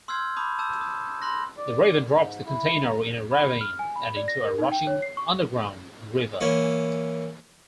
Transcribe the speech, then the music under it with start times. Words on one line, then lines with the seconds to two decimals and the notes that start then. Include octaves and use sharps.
The raven drops the container in a ravine and into a rushing underground river.
0.08 C6 E6 F6 G6 G#6 C7
0.36 A5 B5 D6 D#6 G6
0.59 A5 D6 E6 G6 E7
0.81 D#6
1.22 B5 C6 F#6 A#6
1.57 D5
2.10 G#2
2.46 E4
2.84 A#5
3.31 B5
3.61 F6
3.79 G#5
3.96 B5
4.17 D5
4.28 A#6
4.44 A#4
4.58 D#4
4.72 G5
4.87 C#5
5.02 C7
5.17 C#6
6.41 E3 A#3 C#4